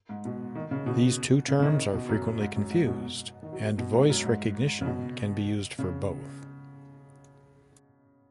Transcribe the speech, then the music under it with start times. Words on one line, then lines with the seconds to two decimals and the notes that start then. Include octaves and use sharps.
These two terms are frequently confused, and "voice recognition" can be used for both.
0.09 G#2
0.25 B2
0.55 D#3
0.71 C#3
0.86 B2
1.48 C#3
1.59 C#3
1.63 D#3
1.94 B2
2.09 F#2
2.40 G#2
2.56 F#2
2.70 G#2
2.86 B2
3.43 D#3
3.53 F#3
3.63 F#3
3.78 B2
3.94 G#2
4.10 F#2
4.24 G#2
4.81 C#3
4.86 B2
5.79 C#3